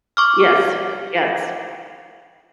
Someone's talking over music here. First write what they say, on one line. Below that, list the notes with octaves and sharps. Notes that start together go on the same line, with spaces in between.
Yes, yes.
C#6 D6 F6